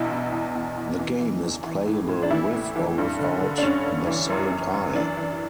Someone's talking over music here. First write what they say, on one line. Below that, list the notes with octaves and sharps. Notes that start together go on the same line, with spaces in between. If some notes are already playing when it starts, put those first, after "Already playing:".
The game is playable with or without the Solid Eye.
Already playing: E2 G2 B2 E4
B2
E2
E2
E2
E3
E3
E2
E3
A2
A2
D4
E3 E4
A2
E3
G2
D3
D3
D4
G2 C#4
G2
E3
F#2
F#2
F#2
E3 D4
E3